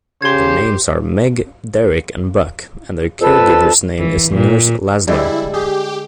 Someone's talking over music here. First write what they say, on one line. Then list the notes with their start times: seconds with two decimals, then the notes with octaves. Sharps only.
Their names are Meg, Derrick and Buck and their care-giver's name is Nurse Lazlo.
0.22 C#3 G4 C5 C6 G#6
3.21 F2 B4 A5 E6
3.99 E3
4.33 A#2
5.07 D3 G3 G#3 E4
5.53 G4 G#4